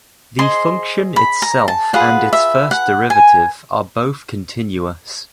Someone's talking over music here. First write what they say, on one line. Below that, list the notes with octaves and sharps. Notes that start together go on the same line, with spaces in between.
The function itself and its first derivative are both continuous.
G#4 C5 D#5 C6
B5
A#5
A5
F4 G#4 B4 F#5
E5
F#5
G#5